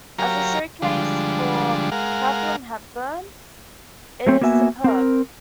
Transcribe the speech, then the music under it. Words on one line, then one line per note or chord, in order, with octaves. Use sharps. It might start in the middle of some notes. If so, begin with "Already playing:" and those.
As a showcase for Katharine Hepburn, it is superb.
F#3 G4 A#4 C#5 F5 A#5
D3 F3 G3 G#3 D4
G#3 A#4 F5 F#5
F#3 A3 C4
A#3 B3 F#4 E5 G#5
C4 A#4